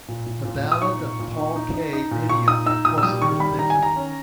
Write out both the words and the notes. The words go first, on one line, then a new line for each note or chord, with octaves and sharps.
The Ballad of Paul K video was a little different.
A#2
A#2
A#2
A#2
D#6
D#4 C#6
A#2
A#2
D#4
D#4
D#4
D#4
A#2
A#2 C#6
D#4 D#6
D#4 E6
A#2 D#6
E6
G3 D#6
D#3 C#6
G3 B5
D#3 A#5
G#5
D#3
A#5
C#4